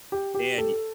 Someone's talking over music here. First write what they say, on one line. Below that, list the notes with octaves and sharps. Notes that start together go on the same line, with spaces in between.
And y
G4
G4
A4